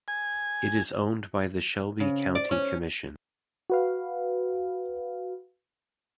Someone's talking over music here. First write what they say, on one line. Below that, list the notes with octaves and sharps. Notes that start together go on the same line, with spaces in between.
It is owned by the Shelby County Commission.
G#5
C#3
D5
C#4
F#4 B4 F5